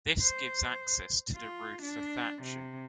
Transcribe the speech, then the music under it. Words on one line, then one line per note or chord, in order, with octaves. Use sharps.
This gives access to the roof for thatching.
C5
F4
D4
C3